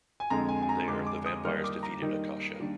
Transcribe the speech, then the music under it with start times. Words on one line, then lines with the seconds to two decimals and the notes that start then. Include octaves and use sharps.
There, the vampires defeated Akasha.
0.20 G#5
0.30 F2 D3 G#3 A#5
0.49 G#5
0.62 G#5
0.69 A#5
0.88 F2 D3 G#3 D6
1.07 D6
1.26 D#6
1.44 D#3 G3 A#3 D#4 F6
1.64 D6
1.83 A#5
2.02 D#3 G3 A#3 D#4
2.60 D#3 G3 A#3 D4